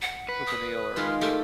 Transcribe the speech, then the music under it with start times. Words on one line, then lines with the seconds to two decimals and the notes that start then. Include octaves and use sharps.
cook a meal or
0.02 F#5
0.29 B4
0.46 D#6
0.96 D#3 G#3 F4 F6
1.21 A3 G4 A4 A#4